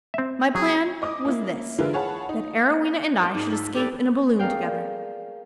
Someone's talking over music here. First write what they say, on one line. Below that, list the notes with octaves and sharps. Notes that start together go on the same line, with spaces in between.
My plan was this--that Arowhena and I should escape in a balloon together.
C4 E5
F#3 G#4
D#5 D6 D#6
A#3 E4
D3 E3 G#3 E4 F4 A#4
G#4 C#5 F5 F#5 A5 B5
D#4
D4 A#4 G5
G#2
F4 E5
G4 A4 B4 D5
G#4 A#4 D5 F5 G5